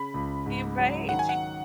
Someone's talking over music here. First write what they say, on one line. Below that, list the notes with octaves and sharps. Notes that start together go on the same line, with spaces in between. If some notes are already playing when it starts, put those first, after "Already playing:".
e right, she
Already playing: C#3 B5
C#2
G#2
F#3
D#3 F#5
G#5
F#5